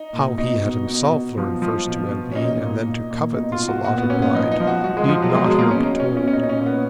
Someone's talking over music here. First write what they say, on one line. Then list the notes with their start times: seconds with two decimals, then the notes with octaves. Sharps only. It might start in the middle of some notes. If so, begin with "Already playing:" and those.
How he had himself learned first to envy and then to covet this allotted bride need not here be told.
Already playing: D#4
0.13 A#2
0.38 B2 D#4
0.62 B2
0.87 B2
1.12 B2
1.38 F3
1.62 F3
1.86 B2
2.11 B2
2.32 C#4
2.36 A#2 D#4
2.61 A#2
2.86 A#2
3.10 A#2
3.35 B2 D#4
3.52 F4
3.60 B2
3.68 F#4
3.85 A#2 F#4
3.98 B3
4.10 A#2 C#4
4.22 B3
4.35 F3 D#4
4.52 D#4
4.60 F3
4.67 F#4
4.84 F3 F#4
4.97 G#3
5.09 F3
5.22 F#3
5.30 G#3
5.34 B2 F#3
5.46 G#3
5.58 B2 A#3
5.71 C#4
5.83 B2 D#4
6.00 C#4
6.08 B2
6.17 C#4
6.28 C#4
6.33 A#2 D#4
6.43 D#4
6.49 C#4
6.58 A#2
6.66 B3